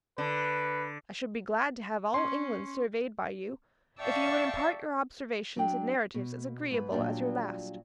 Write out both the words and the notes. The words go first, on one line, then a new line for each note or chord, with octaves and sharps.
I should be glad to have all England surveyed by you, if you would impart your observations in narratives as agreeable as your last.
D3 B4
C#4 C6
D5 E5 F5 G5 A5 C#6
F#3 D4 G5
B2
G#2 B4
A#2 F#3 G3 D4